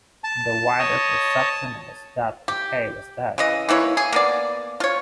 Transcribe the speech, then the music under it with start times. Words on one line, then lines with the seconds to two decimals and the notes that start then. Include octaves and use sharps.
The wider perception was that Mackay was dead.
0.24 A5
0.79 C#5 D#5
2.48 G4
3.38 C#3 E3 D#5
3.69 E3 A#3 E4 C#5
3.97 G#4
4.12 A#3 B3 D5
4.80 F4 C#5